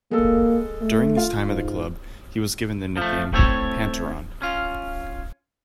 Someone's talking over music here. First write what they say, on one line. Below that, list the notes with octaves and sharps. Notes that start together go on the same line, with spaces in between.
During his time at the club, he was given the nickname "Panteron".
G#3 A#3 A4
A3
F4 F5
G#2
F3 A3
A3 C4 E4 A4 C#5
C#4 F4